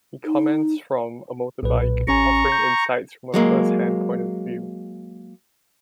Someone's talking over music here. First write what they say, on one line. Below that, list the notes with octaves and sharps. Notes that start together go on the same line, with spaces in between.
He comments from a motorbike, offering insights from a first-hand point of view.
D#4
B1 A#2 B4
A1 C#4 G#5 A#5 C#6
G6
F#3 G#3 A#3